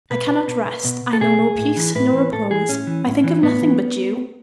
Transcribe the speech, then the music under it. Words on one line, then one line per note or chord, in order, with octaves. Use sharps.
I cannot rest; I know no peace, no repose; I think of nothing but you!
B2 B4
B2
B2
A4
B2 G#4
A2
E3
A2 B4
E3
A2 A4
E3 G#4
A2 C#4
E3
A2
E3
A2 B3
E3